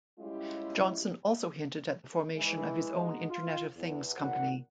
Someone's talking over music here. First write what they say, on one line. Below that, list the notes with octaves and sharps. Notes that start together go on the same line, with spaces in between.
Johnson also hinted at the formation of his own Internet of things company.
G3 G#3 C#4 E4 F4 G4
E3 G#3
G#3 D#4 F#4
F4
E2
G#1 A#2 F#5